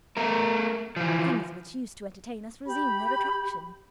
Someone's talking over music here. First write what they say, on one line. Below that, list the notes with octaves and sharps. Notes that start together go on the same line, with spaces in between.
Things which used to entertain us resume their attraction.
A3 A#4
E3 F3
G4 B5